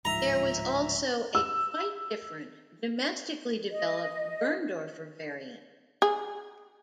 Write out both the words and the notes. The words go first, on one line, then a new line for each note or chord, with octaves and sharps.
There was also a quite different, domestically developed Berndorfer variant.
D1 G#2 F3 E5 A#5
E6
D#5
G#4